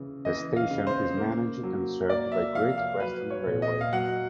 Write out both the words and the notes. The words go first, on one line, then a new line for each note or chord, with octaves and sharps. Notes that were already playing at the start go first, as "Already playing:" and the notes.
The station is managed and served by Great Western Railway.
Already playing: C#3 E3
E3 D#5
F5
C#3
C5
A#3
F#3
A#3 D5
E5
F3 F5
F5
F#3 B4
C#5
A#2
D#5
F5
F#3 F#5